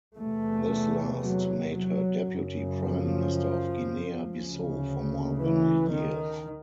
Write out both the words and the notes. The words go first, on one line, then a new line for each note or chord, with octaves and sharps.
This last made her Deputy Prime Minister of Guinea-Bissau for more than a year.
E2 C3 A3
F#3
F#3
F#2 C#3
F3
D2 C#3
E3
D#3